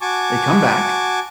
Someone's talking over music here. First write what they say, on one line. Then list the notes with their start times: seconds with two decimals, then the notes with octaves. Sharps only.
they come back,
0.01 F#4 G#5 A5 C#6 D6